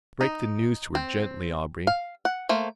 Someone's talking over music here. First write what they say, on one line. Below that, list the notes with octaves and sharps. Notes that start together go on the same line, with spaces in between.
Break the news to her gently, Aubrey!
D#4
C4
F5
F#5
A3 A#3 C5